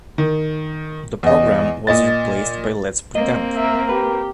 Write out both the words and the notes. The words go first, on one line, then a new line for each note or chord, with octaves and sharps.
The programme was replaced by "Let's Pretend".
D#3
E2 D#5
A#2 D#5 A6
A#3 C4 D#5
A#4 E5
G4 B4